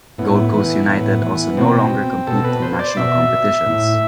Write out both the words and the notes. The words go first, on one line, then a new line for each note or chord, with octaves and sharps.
Gold Coast United also no longer compete in national competitions.
A2 B3
E3
A2
E3
B2 C4
B2 A4
B4
C5
D5
B2 E5
A2